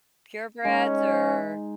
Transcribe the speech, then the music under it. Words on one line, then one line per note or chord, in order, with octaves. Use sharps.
purebreds or
G#3 C#4 D#4 A#5